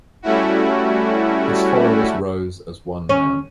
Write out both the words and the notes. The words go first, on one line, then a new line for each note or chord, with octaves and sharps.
His followers rose as one man.
G3 A3 C#4 E4 F#4
C#4